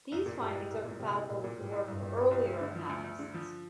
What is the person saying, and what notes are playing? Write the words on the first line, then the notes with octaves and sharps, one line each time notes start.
These findings are compatible with the work of earlier anatomists.
C2 F2
A#2
G2 G3
C2
C2 A#2
A#2
C3 G3
C2
C2 A#2
A#2
G#2 G3
C2
C2 G2
A#2
G3
C2
D2
D3
F3
D2
D2
D3
F3